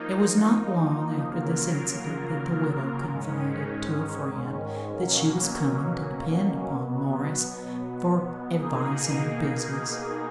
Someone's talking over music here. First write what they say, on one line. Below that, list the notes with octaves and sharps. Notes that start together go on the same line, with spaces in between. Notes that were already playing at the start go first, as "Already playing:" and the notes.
It was not long after this incident that the widow confided to a friend that she was coming to depend upon Morris for advice in her business.
Already playing: F3 A#3 D#4
C#3 F#3 A#3 F4 A#4
G#2 D#3 G#3 C#4
B2 F#3 A#3 C#4
B2 F#3 B3
B2 A#3 D#4 G#4